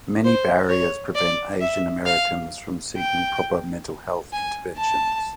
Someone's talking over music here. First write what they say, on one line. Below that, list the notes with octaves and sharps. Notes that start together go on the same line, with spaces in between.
Many barriers prevent Asian Americans from seeking proper mental health interventions.
C5
C#5
D5
E5
F5
G5
G#5
A5